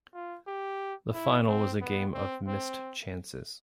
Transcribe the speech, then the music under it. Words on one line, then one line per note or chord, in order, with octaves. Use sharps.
The final was a game of missed chances.
F4
G4
E4
C4
B3
C4
C4